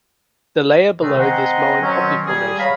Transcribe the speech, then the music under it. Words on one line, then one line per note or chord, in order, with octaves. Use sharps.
The layer below this is Moenkopi Formation.
A2 C3 D#3 G#3 A3
C4 D#5 F#5 G#5 A#5 C6
B2 D#3 F#3 C4 C#4
G3 G#4
E2 C#5 F5 A#5 B5